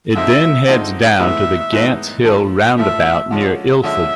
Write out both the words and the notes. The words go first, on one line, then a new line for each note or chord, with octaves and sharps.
It then heads down to the Gants Hill Roundabout near Ilford.
D3 F3 G#3 C4 D#4 E5
D3 F3 G#3 C4 D#4
A2 E3 G#3 B3 D#4 E5
A2 E3 G#3 B3 D#4
A2 F3 A3
A2 F3 A3 E5
D3 F3 G#3 C#4
D3 F3 G#3 C#4 E5